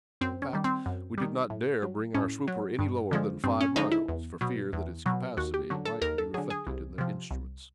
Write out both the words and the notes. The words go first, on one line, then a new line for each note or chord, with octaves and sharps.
In fact, we did not dare bring our swooper any lower than five miles for fear that its capacity might be reflected in their instruments.
F#2 C4
C#4
D#3 G3
C4
F#2
D#3 G3
A2
F#3
A2 C#4
F#3
G2
D3 F3 G#3
G2 C4
C#4
D3 F3 G#3 D#4
E4
E2
B2 F#3
E2
B2 F#3
D#2 F#4
G4
D3 F#3
A4
D#2 A#4
A4
D3 F#3 G#4
G#4
C2
C3 F3
C2